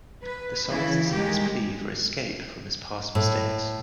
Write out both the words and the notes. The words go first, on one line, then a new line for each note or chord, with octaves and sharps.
The song is the singer's plea for "escape" from his past mistakes.
B4
C#3 E3 E4
D#3 G#3 G4
A2